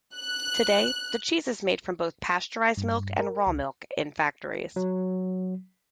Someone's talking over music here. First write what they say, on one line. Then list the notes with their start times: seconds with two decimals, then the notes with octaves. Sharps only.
Today, the cheese is made from both pasteurized milk and raw milk in factories.
0.14 F#6
2.77 G2
3.18 A#4
3.47 C#2
4.76 F#3